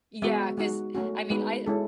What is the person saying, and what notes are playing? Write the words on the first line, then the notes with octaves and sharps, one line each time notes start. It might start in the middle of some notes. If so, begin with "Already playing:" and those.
Yeah, 'cause I mean I
G#3 B3 F#4 E5
G#3 D#4 F#4
A3 C#4 F#4
G#3 B3 D#4 F#4 B4
G#3 C#4 E4 A4